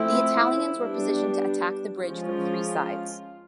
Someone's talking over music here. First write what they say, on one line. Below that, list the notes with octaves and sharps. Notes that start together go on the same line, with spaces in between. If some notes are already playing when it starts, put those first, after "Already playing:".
The Italians were positioned to attack the bridge from three sides.
Already playing: F3 A3 C4 E4
G3 B3 D4
F3 G#3 C#4 F4